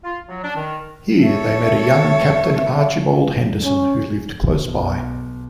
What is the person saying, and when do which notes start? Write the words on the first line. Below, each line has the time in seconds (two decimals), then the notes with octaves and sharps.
Here they met a young Captain Archibald Henderson who lived close by.
0.04 F4
0.28 F#3
0.44 D4
0.56 D#3
1.22 A4 C#5 E5
3.64 C#4
4.51 B1